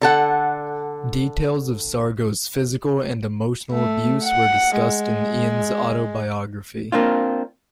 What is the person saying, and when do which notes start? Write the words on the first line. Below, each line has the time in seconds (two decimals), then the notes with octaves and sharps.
Details of Sargo's physical and emotional abuse were discussed in Ian's autobiography.
0.01 D3 A4 F#5
3.72 A3
4.24 F#5
4.80 G#3
6.92 A#3 C4 D4 F4